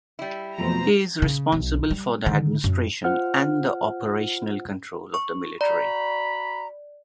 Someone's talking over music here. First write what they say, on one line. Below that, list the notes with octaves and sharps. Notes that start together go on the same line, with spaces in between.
He is responsible for the administration and the operational control of the military.
G3 E4
F2 B2 F3 F#3 A3 C5 A#5
C#3
B1
G3
D3 D#3
F#2
F4 C5 F#5 F6
C#6
F#4 D5 A#5 B5